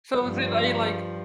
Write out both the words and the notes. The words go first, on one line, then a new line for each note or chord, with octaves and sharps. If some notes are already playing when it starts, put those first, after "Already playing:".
So is it, like like,
G2 F3